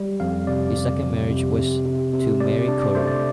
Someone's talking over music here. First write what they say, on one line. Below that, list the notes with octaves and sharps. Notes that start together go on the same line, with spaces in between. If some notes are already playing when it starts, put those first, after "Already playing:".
His second marriage was to Mary Corey.
Already playing: G3
F2 F5
C3 D5
F2
F2
C3
C3
C3
C3
A3 D5
D4
D5
A3 C5
D5